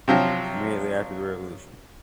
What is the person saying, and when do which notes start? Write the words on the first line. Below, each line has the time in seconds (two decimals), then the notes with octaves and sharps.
Immediately after the Revolution.
0.08 C3 F3 F#3